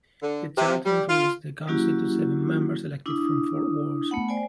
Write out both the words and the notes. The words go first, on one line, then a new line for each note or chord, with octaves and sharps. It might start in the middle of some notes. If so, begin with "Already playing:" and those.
The Charter increased the Council to seven members elected from four wards.
D3
C3
G3
F4
F#3 A#3 C#4 E4 F#4 G4
D4 E4 D#6
A3 B3 F#5
C5 D5 G5 G#5